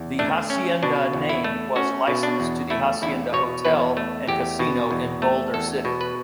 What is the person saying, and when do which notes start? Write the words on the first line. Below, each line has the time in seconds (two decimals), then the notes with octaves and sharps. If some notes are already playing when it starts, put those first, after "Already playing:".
The Hacienda name was licensed to the Hacienda Hotel and Casino in Boulder City.
Already playing: E2
0.19 A3 D4
0.50 C#4
0.83 B2 D4
1.13 E2
1.29 E4
1.44 A3
1.76 C#4 F#4
2.07 B2
2.23 D4
2.40 E2
2.70 A3 E4
3.02 E2 E4
3.33 B2 C#5
3.65 E2 B4
3.97 A3
4.27 E2 G4
4.59 B2
4.91 E2
5.22 A3
5.54 E2 A4
5.85 B2
6.01 B4